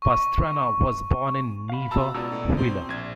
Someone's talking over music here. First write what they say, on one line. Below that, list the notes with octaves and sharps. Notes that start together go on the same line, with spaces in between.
Pastrana was born in Neiva, Huila.
C#6
F5 B5
B2 A5 A#5 E6
C#2 B2 D5 A#5 E6
A2
C4
A#1 G#6